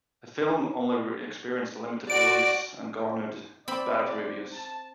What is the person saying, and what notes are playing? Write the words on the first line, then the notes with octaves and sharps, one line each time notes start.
The film only experienced a limited release, and garnered bad reviews.
F#4 D5 D7
C4 D5 B5
A5